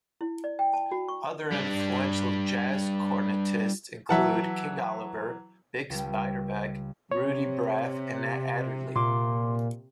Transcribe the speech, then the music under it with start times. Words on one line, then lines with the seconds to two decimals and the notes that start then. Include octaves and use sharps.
Other influential jazz cornetists include King Oliver, Bix Beiderbecke, Ruby Braff and Nat Adderley.
0.21 E4
0.44 D5
0.59 G5
0.73 A5
0.92 F#4
1.08 C#6
1.52 G3 D4
4.09 E3 F#3 E5 F#5 A5
5.90 C#2 G3
7.11 C3 C#5
8.96 A#2 C6 D6